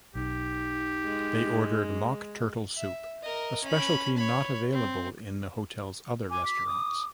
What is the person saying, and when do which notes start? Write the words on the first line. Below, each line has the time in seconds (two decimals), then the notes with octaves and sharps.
They ordered mock turtle soup, a specialty not available in the hotel's other restaurants.
0.15 B1 D#4 G4
1.04 G#3
2.77 E5
3.22 A#4 D#5
3.63 C#4 B5
4.16 C#5 B5
4.73 C4
6.30 G#5 D6
6.45 B6
6.67 D#6